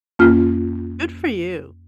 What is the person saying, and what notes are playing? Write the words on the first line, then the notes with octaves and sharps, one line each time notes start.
Good for you.
F2 A#3 C#4 F4 F6